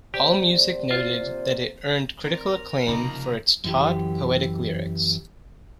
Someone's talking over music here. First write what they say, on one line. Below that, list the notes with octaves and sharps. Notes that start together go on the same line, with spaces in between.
Allmusic noted that it "earned critical acclaim for its taut, poetic lyrics".
C3 A#3 G4 C5 D5
F4
C4 A#4 D5
C2 C#3 F3 A#3 D#4 A#5 B5
F#2 E3 G4